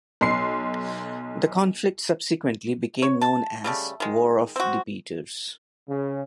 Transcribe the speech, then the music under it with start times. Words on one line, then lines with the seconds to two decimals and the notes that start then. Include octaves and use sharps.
The conflict subsequently became known as "War of the Peters".
0.21 B1 C6 C7
3.02 C#5
3.21 A5
3.64 C#3 G3 A3
4.00 D#3 G#3
4.56 C4 F#4
5.89 C#3